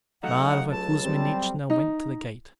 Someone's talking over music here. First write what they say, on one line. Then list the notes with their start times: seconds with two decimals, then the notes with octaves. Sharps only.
Mavra Kuzminichna went to the gate.
0.23 F#3 A3 D#4 F5 F#5
0.71 C#2 A5
1.03 G3 C4
1.70 D#4